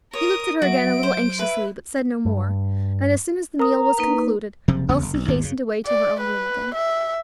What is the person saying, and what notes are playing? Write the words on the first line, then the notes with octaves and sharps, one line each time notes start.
He looked at her again a little anxiously, but said no more; and as soon as the meal was concluded, Elsie hastened away to her own room again.
A#4 C#5 D#6
F#3 F#4 E5 D7
C5
B4 E5
G2
A#4 A#5 D#6
A#3 D#4 B4
F#1 C3 F3
F#1 E2 C#3 B3
F#1
B1
G#1 D#2 A#2 D#3
F#2 C#3
D5
B4
E5